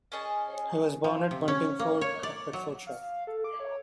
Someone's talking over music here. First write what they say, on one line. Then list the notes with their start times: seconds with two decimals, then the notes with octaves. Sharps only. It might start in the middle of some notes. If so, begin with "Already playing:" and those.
He was born at Buntingford, Hertfordshire.
0.12 C#4 G#4 D#5 A5
1.04 F3
1.31 C3
1.48 C#4
1.79 A#3
2.01 C#5
2.23 D5
2.53 F#3
2.87 F5
3.27 A4
3.44 D6
3.60 C#5